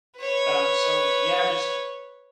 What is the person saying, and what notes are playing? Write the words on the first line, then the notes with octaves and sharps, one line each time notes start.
Um, so, yeah, just
B4 C#5